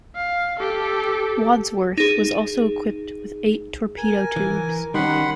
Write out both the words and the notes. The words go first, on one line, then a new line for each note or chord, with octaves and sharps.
"Wadsworth" was also equipped with eight torpedo tubes.
F5
G4 A4
D#4 G#4
A#4 G#5
E3
D#3 G3 C#4 F#5 B5 C6